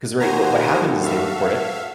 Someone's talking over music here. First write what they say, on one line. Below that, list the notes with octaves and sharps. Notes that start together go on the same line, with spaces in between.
'cause, right, what what happens is they record it,
D#2 F#4 C5 G#5 A#5
F#4 A4
E5 F5